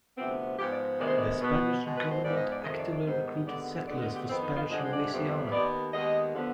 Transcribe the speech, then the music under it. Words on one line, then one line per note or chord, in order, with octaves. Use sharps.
The Spanish government actively recruited settlers for Spanish Louisiana.
D2 C3 F3 B3 C4
G#2 F3 B3 G4
D5
D2 C3 D#3 G#3 B3 D5
C5
D5
B2 B3
B2 G#3 B3
B4
C5
G#2 F3 G#3 B3 D5
D#5
D5
F2 C3 D#3 D#5
D5
D5
G#2 D#3 G3 B3 C5
D#5
D#2 D3 G#3 B3 D5
D2 D3 G#3 B3 D5
D#5
G4
F2 D#3 B3 C4
D#4
F4
G2 D3 F3 G#3 D#5
D5
C5
D5
F2 C3 G3 B3
D#2 D#3 B3 D5
D#2 D#3 G#3 B3 D#5
D3 F3 B3